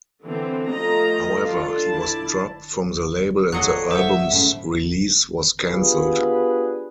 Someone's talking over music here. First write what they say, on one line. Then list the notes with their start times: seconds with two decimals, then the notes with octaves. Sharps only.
However, he was dropped from the label and the album's release was canceled.
0.25 D3 E3 C4
0.69 F3 A3 A4 D#5 A#5
1.41 D4 F4 A4
1.87 D4 E4 A5
3.52 F#3 F4 G#4 A4 D5 D#5 F#6 C#7
3.91 C5 E5 F#5
4.30 F#2 A2 C#3
5.62 B3 D4 F4 G4 G#4 B4